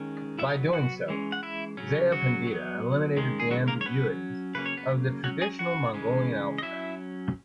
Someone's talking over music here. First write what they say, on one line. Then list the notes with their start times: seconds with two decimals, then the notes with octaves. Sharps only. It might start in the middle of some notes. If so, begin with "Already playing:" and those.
By doing so, Zaya Pandita eliminated the ambiguities of the traditional Mongolian alphabet.
Already playing: D#3 G#3 C#4
0.39 F#3 B3 E4 E5
0.50 D#4 D#5
0.73 F#4 F#5
1.08 E3 G#3 C#4
1.32 F#5
1.43 E4 E5
1.77 C#3 F#3 C#4
2.12 F#3 F#4
2.47 F#3 B3
3.16 D#3 G#3 C#4
3.40 G#4
3.51 F#3 F#4
3.68 A#3 A#4
3.81 C#5
3.85 F#3 B3 C#4 B4
4.55 C#3 F#3 A#3 C#4 B4
4.66 C#5
4.77 B3 B4
5.24 F#3 C#4 F#4 F#5
5.41 G#4 G#5
5.59 F#4 F#5
5.93 C#3 E3 G#3 C#4
6.58 D#5
6.62 F#3 C#4 E4 E5